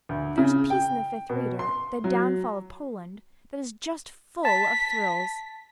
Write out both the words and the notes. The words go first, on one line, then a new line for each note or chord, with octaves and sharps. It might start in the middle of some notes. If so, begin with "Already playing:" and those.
There is a piece in the Fifth Reader--'The Downfall of Poland'--that is just full of thrills.
D2
C#3
G5
B2
C6
F#3
A5 B6